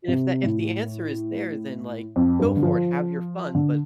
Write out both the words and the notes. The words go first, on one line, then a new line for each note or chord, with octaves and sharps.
And if the if the answer is there, then like, go for it, have your fun, but
C3
A2
F2
G2
D3
F3
D3